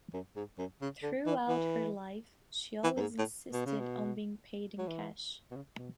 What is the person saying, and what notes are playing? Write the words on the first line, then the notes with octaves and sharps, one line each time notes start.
Throughout her life she always insisted on being paid in cash.
F#2
G#2
F#2
C#3
D3
E3
E3
E3
F#2
G#2
A2
B2
C#3
B2
F#3
E3
B2
C#3
B2